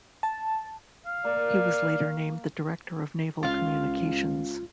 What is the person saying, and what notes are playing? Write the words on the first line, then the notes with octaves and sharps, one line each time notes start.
He was later named the Director of Naval Communications.
A5
F5
A#3 D5
C#2 F4 F5